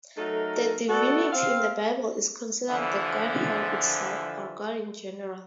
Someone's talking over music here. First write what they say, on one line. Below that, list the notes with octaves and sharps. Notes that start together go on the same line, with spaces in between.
The divinity in the Bible is considered the Godhead itself, or God in general.
F#3 A3 D#4 A4 A#4
A3 B3 F#4 A4 D5
C4 F5
D3 E3 F3